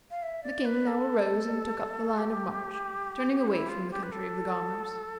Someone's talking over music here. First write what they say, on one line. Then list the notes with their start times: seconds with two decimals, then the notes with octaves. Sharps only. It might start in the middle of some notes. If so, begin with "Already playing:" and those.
The King now arose and took up the line of march, turning away from the country of the Gaumers.
0.11 F5
0.22 E5
0.43 D5
0.65 B4
0.87 A4
2.18 G4
3.47 E4
3.69 F4
3.91 G4
4.03 B4
4.12 A4